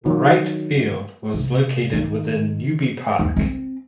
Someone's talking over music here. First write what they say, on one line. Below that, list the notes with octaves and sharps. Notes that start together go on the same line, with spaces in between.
Wright Field was located within Newby Park.
D#3 F#3
C3
D#3
D#2
C4